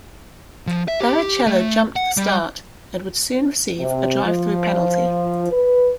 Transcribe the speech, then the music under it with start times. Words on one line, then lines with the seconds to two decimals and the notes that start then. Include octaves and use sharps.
Barrichello jumped the start, and would soon receive a drive-through penalty.
0.67 F3
0.88 E5
1.01 G4
1.47 A3
1.96 F#5
2.17 G3
3.80 C3
4.24 F3
5.51 B4